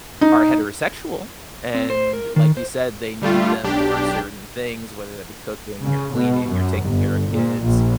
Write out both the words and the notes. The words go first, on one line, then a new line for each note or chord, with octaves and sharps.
are heterosexual, and like you said, they need them for certain things, whether that be cooking or cleaning or taking care of kids.
D#4
C4
C5
A#4
D#3
C5
D3 G3 A3 F4
B1 D4 G4
C#3
B2
F#2
G1
A#2
A#1